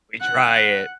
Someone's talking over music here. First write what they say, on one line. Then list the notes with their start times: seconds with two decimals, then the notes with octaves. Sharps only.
We try it.
0.21 F#5